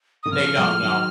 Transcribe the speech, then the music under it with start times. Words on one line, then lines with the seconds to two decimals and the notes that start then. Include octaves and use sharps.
They don't know.
0.23 D#3 D#6
0.31 C#3 F3 F6
0.57 F3 G#3
0.83 D#3 F#3